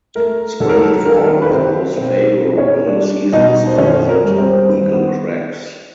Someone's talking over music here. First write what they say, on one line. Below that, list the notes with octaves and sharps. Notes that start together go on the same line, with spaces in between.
Spring and fall are the most favorable seasons to visit Eagle Crags.
A3 A#4
F#3 A4
A#4
A4
D#3 A#4
A4
A#4
B4
C3 C4 C5
B2 C4 C5
C4
C#4 C#5
G3 D4 D5
B2 D#4 D#5
C5
F#2 C#4 C#5
A#4
G3
C4 C5
D#3 B4
C5
B3 B4